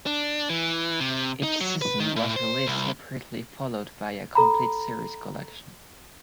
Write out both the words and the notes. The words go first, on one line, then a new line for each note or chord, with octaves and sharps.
Each season was released separately followed by a complete series collection.
D4
E3
C3
D#4
F#3
B4
D#3
A2
C5
C2
A4 A#5 B5